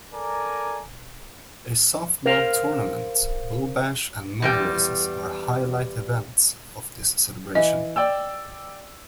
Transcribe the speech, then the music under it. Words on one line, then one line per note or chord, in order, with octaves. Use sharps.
A softball tournament, bull bash and mud races are highlight events of this celebration.
A4 A#4 D5 G#5 A#5 D6
A#4 C5 F5
E2 G3 G5
E3 D#5
D5 G5 E6